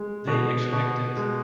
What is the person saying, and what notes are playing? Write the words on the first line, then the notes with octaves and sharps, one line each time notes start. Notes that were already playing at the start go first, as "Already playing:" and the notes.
They expect it.
Already playing: G#3
B2
B2
G#3